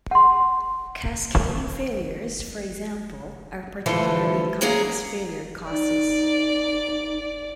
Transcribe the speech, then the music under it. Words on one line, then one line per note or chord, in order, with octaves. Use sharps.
Cascading failures, for example, are particularly complex failure causes.
F#5 C6
D3 E3 F3 A3
F#3 A#3 C#4 G#4 A#5
D#4 D5